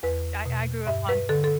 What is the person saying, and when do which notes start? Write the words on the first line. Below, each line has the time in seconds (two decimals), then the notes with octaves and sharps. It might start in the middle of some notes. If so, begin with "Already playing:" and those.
I I grew up on
0.03 E2 B4
0.46 B2
0.87 G2 E5
1.09 B4
1.29 D3 A4
1.44 A4